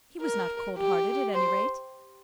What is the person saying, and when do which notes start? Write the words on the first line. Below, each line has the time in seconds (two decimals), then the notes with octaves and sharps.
He was not cold-hearted, at any rate.
0.22 A#4
0.78 G4
1.34 C5